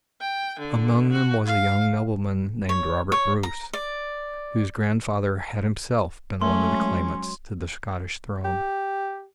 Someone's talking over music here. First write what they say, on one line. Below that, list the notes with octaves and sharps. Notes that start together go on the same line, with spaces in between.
Among them was a young nobleman named Robert Bruce, whose grandfather had himself been one of the claimants to the Scottish throne.
G5
D3
F#4
F5
C#5
C#5
A#5
D5
F#3 G#3 A3 C#4 C6
G4